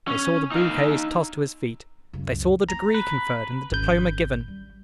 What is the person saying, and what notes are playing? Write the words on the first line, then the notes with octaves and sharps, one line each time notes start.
They saw the bouquets tossed to his feet. They saw the degree conferred and the diploma given.
C#4
D#4 F5
C#2 F#2
A3 C4 A#5
B4
G#1 C#4 G6
G3